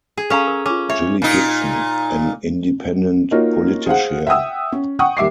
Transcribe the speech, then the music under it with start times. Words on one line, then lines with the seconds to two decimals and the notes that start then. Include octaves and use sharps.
Jilly Gibson, an independent politician.
0.17 G#4
0.30 C#4 A4 C#5 F5 A#5
0.47 A#4
0.66 C#4 F4 D6
0.89 C#5 E5
1.22 A#2 D#4
3.31 A#3 D#4 F4 F#4 A#4 C#5
3.86 G#4 C5 F5 F#5
4.27 E5 F#5 G5 D#6 E6
4.72 C#4
4.99 F#5 G5 C#6 D#6
5.17 D#2 G3 E5 D6 C7